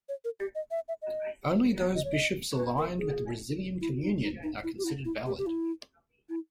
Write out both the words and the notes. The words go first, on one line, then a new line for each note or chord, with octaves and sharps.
Only those bishops aligned with the Brazilian communion are considered valid.
C#5
A#4
G4
D#5
E5
E5
D#5
D#5
C#5
D#5
B4
A#4
G#4
E4
D#4
D#4
D#4
E4
G4
E4
E4
G4
G4
E4
E4